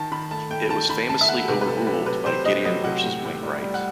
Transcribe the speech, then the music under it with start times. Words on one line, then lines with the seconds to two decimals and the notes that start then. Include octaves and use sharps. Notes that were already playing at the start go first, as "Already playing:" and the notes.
It was famously overruled by "Gideon versus Wainwright".
Already playing: D#3 A5
0.12 D#3 B5
0.31 A3 A5
0.51 A3 G5
0.70 D#3 A5
0.89 D#3 B5
1.09 A3 A5
1.21 E5
1.29 A3 F#5
1.48 C3 B4
1.61 B4
1.67 A3 A4
1.87 F#3 B4
2.06 C3 B4
2.26 C3 C5
2.45 A3 D#5
2.65 F#3 D#5
2.84 C3 F#5
3.04 A2
3.24 A2
3.43 G3
3.62 G3
3.74 F#5